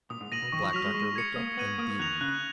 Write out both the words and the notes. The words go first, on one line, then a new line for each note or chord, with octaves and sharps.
The Black Doctor looked up, and beamed.
A#2 D#6
G#2
A#2 A#6 D#7 F#7
B2
D#3 C#6
F3
F#3 F6 B6 F7
G#3
G#3 C#6
G#6 C#7
A#3 D#6
B3 G#6 D#7 F#7
A#3 D#6
D#3 F#6 A#6 F7
C#3 F#6